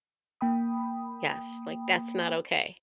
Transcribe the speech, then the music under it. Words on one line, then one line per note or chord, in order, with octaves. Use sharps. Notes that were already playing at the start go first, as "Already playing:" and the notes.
Yes, like, that's not okay.
A#3 G5 B5 D#6